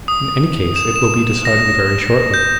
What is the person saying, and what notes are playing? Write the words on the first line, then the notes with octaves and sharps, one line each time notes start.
In any case it will be decided very shortly.
D#6
E7
E7
A#6
G6